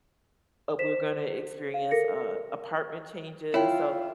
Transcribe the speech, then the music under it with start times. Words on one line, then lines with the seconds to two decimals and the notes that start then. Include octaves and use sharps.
uh, we're gonna experience, uh, apartment changes, so,
0.79 C5 B6 E7
1.74 F5
1.91 A4 A#4 A#6 C#7
3.54 E4 F4 C#5 G5